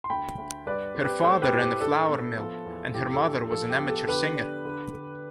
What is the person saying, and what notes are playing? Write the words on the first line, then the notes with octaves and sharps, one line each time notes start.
Her father ran a flour mill and her mother was an amateur singer.
C6
D2 G5 B5
D2
G2 B4 D5
C4
G4 B4
A3 A4 C5
G4 B4
A2
G4
D4 A4
B3
F3
E2
A2 G4
A4
D4
F3 A4
G4
B3
A4
D3 G4 B4
D4
D3
D3